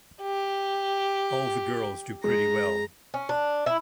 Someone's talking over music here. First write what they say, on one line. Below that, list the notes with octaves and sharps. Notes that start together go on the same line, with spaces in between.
All the girls do pretty well.
G4
G#3 A#5
C#4
D4
E4